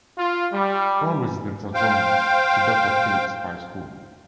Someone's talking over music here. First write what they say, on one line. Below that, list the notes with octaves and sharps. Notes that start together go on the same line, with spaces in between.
All residents are zoned to Doctor Phillips High School.
F4
G3
C5 F5 G5